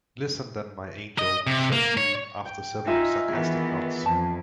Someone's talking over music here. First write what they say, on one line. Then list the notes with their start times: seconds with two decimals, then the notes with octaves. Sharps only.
"Listen then, my angel," says she after several sarcastic nods.
1.19 D#5
1.47 C3
1.72 A#3
1.97 C#5
2.45 G5
2.87 D#4 F4 E5 G#5
3.29 D#3 E3 B3 G#4
4.06 F2 A5